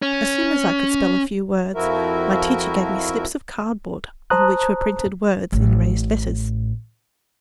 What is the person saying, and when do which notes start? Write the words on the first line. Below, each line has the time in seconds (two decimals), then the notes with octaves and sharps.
As soon as I could spell a few words my teacher gave me slips of cardboard on which were printed words in raised letters.
0.02 C#4
1.75 F2 F3 E4 F#4 A#4 E5
4.30 C5 A5 A#5 D#6 F#6
5.52 A1 A2